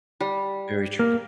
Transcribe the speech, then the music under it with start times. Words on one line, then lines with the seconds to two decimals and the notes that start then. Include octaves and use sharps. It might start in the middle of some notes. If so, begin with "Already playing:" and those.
Very true.
0.21 G3
0.99 A#3